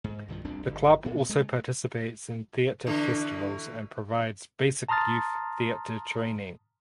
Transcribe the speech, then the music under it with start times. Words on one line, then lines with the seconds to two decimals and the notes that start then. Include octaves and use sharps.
The club also participates in theatre festivals and provides basic youth theatre training.
0.04 G#2
0.28 C2 G2 D#3 F3
0.45 D#1 C2 C4 D4
0.67 G1
1.05 A#2 B3
1.30 G#3 A3
2.86 B2 D3 E3 D4
4.89 A5 A#5 C6 D#6 F6 A6